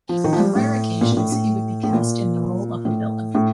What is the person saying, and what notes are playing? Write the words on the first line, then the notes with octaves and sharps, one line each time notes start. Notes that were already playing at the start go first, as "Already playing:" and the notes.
On rare occasions, he would be cast in the role of a villain.
F3
D#3
F3
G3
A2
A#2
A#2
A2
A2
A2
A#2
A2
A2